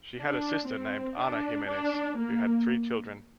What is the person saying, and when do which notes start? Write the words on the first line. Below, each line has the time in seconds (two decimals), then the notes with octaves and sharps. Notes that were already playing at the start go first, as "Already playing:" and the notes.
She had a sister named Ana Jimenez who had three children.
0.18 D4
0.67 C4
1.18 D4
1.67 D4
2.17 A#3